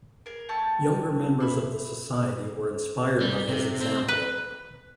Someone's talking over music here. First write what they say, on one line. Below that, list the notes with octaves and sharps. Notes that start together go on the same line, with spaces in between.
Younger members of the Society were inspired by his example.
G#4 A#4
A3 C#4 G5 A5
E5 B5 C6
G3
C3
C4
B4